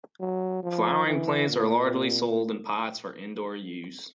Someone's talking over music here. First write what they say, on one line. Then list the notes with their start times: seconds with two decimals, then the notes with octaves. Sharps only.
Flowering plants are largely sold in pots for indoor use.
0.21 F#3
0.64 F3
1.06 E3
1.50 A#2